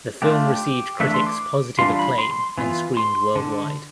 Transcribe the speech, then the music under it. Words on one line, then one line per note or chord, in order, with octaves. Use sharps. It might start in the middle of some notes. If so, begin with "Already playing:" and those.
The film received critics positive acclaim and screened worldwide.
A3 D4 F4 G4
E3 A3 D4 E5
C6
D6
E3 G3 D4 F4 C6
B5
C6
C6
E3 B3 F4
C6
D3